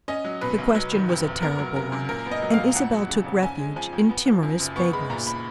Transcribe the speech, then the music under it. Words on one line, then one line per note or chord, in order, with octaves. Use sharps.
The question was a terrible one, and Isabel took refuge in timorous vagueness.
C#4 D#5
F#3
B2 B4
B1
F#3
D#3
F2
F#1
B3 A#4
F#3
C#3 A#4
F#2
A#2 A#4
B3
D#5
F#3
A#2 F5
F2 F#5
F#3
C#3
F2
C#4 G#5
G#3
F3 G#5
F2
B3
F3
F#2
F#1
B3 C#6
G#3 B5
A#2 A#5
B5